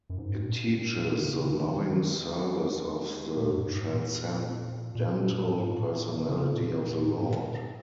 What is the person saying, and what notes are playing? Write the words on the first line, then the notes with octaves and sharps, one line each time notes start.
It teaches the loving service of the transcendental personality of the Lord.
F#2
G#2
A#2
D#3
C#3
D#3
D#3
G#3
A#2
F#2
G#2
A#2
A#2
G#2
A#2
C#3
A#2
G#2
A#2